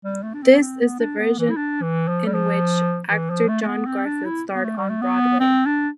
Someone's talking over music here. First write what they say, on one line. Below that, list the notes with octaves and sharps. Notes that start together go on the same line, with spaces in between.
This is the version in which actor John Garfield starred on Broadway.
G3
A3
D4
C4
C4
B3
D4
B3
E3
E4
D4
E3
F3
G3
F3
E3
F3
A3
A3
B3
C4
D4
E4
B3
A3
G3
A3
B3
C4
D4